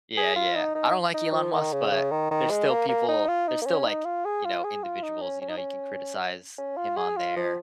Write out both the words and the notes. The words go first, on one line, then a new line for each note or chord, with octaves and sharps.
Yeah, yeah. I don't like Elon Musk, but there's still people there's still, like, you know, individuals, you know, you can criticize him on there,
G#4
F4
D#4
D#4
D#4
F3
D#3
C#3
C#3
D#3
D#3
G#3
A#3
A#3
D#4
F4
D#4
A#3
C#4
D#4
F4
G#4
F4
G#4
F4
D#4
C#4
C#4
D#4
C#4
C#4
F4
G#4
F4
F3